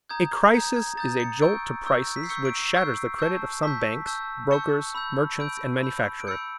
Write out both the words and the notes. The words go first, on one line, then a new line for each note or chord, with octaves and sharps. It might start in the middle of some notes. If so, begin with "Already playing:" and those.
A crisis is a jolt to prices which shatters the credit of some banks, brokers, merchants, and manufacturers.
A#5 D#6 G6 G#6
A#5 D#6 G6 G#6
G#6
A#5 D#6 G6 A6
C#7
C#6 E6 G6 D7
C#6 E6 G6
B6
C7
C#6 E6 G6 C#7
D7
C7
C#6 E6 G6
A5 C#6 E6 G6
A5 C#6 E6 G6 B6
A5 C#6 E6 G6
A5 C#6 E6 G6 C#7
B5 E6 G6
B5 E6 G6 D7
B5 E6 G6
D7
B5 E6 G6 C#7